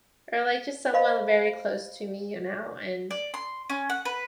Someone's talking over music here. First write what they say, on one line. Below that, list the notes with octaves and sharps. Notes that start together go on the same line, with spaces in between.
or, like, just someone very close to me, you know, and,
C5 D#5 F5 B5
D5
C6
C#4
F#5
B4